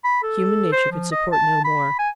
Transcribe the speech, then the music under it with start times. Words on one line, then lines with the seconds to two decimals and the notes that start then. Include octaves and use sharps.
Human nature could support no more.
0.05 B5
0.23 A4
0.73 C5
0.92 F3
1.12 D#5
1.32 A5
1.65 B5
1.99 G#5